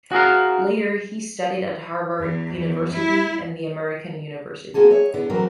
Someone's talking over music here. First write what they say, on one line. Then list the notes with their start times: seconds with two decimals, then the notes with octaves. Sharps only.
Later he studied at Harvard University and the American University.
0.12 F#4 G#4 A#4 F5
2.19 E2
2.57 E2
2.94 E4
4.74 A#3 C4 F#4 G#4 A4
4.90 G#4 C#5 E5
5.14 D3 B3 E4
5.30 E3 F#3 A3 C4 F#4 A#4